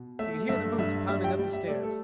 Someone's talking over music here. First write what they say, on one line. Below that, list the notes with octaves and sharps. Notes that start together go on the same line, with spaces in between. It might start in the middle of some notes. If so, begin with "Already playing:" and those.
He could hear the boots pounding up the stairs.
Already playing: B2
A3 E5
G2 E5
G2 E5
G3 E5
G5
G3
E5
A3 D5
A4